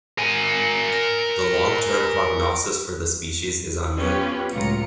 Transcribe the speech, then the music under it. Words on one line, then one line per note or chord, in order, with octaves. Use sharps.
The long-term prognosis for the species is unknown.
A#4 G#5
F#3 B3 C#4 F4 G4 B4
C#2 A2 F#3 F4 A#5 C#7